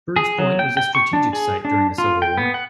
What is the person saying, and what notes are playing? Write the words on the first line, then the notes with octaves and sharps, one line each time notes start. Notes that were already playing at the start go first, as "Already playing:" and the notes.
Bird's Point was a strategic site during the Civil War.
G#4
F#3
G5
G5
C#6
D4
G#4
D4
F4
G5
B3
F#5